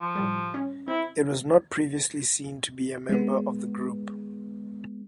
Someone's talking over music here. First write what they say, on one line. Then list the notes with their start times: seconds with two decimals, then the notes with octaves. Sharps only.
It was not previously seen to be a member of the group.
0.01 F3
0.15 A2 G3
0.54 C#4
0.88 C4 E4
3.09 G#3 B3